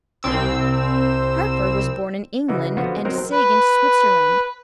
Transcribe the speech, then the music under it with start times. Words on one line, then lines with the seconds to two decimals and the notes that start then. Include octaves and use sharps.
Harper was born in England, and Sigg in Switzerland.
0.23 C2 C4 E6
2.48 C#3 E3 D#4 F#4
2.77 D3 F3 B3 F4 F#4
3.05 F#3 C4 D#4 A#4 C5
3.32 B4